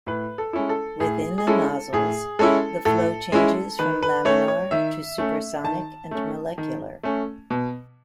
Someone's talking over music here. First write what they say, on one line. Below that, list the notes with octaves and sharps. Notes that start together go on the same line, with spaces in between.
Within the nozzles, the flow changes from laminar, to supersonic and molecular.
A2 B4
A4
G#3 C#4 E4
A4
A2 G#4
G#4
G#3 C#4 E4 A4
A2 G#4
G#3 C#4 E4 A4
A2 A4
G#3 C#4 E4
D#3 B4
B4
A3 C#4 C#5
C#5
D#3 E5
A3 C#4
D#3 A5
A3 C#4
D#3
A3 C#4
B2